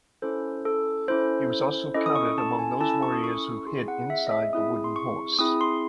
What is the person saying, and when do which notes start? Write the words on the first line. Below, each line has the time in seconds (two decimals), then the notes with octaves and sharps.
He was also counted among those warriors who hid inside the Wooden Horse.
0.22 C#4 E4 A4 C5
0.65 A4
1.08 C#4 E4 A4 C5
1.94 C#4 E4 A4 D#5
2.06 D#6
2.16 C#6
2.38 A5
2.59 G#5
2.80 C#4 E4 A4 A5
3.03 C#6
3.12 D#6
3.24 C#6
3.45 C#6
3.66 C4 E4 G#4 C6
3.88 F#5
4.10 E5
4.27 D#5
4.31 E5
4.53 C4 E4 G#4 D#6
4.84 C6
4.96 C#6
5.39 C4 E4 G#4 D#6
5.61 C6